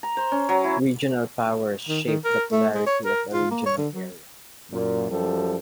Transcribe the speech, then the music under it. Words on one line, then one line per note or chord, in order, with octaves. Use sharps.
Regional powers shape the polarity of a regional area.
A#5
C5
C#4
F#3
E4
D#3
D#3
A#4
A3
G#3
C#5
A#4
F4
A#3
C#5
D3
F#3
F#2 A#2
F#2 F3 G3 G4 A4